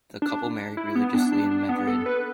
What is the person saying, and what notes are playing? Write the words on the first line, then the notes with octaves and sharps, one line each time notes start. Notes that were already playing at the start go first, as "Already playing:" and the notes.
The couple married religiously in Madrid.
D4
E4
B3
D4
D4
D4
B3
A4
B4